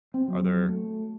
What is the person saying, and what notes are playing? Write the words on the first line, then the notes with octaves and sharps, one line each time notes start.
are there
C4
F#3
A3